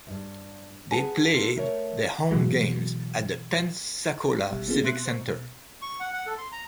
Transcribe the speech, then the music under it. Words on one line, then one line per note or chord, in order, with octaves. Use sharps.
They played their home games at the Pensacola Civic Center.
D2 G2
G#4 B4 F#5 G#5 A5
A#3 F4 A4 B4
A3 A#4 C#5
B2 E3 F#3 G#3
G1 B2 G3 E5
A#3 B3 C#4 F4 G#4
B2 B3 E5 C6 F#6
C5 C#6
B2
C#6
F#5
F#5
A4
C6
A#5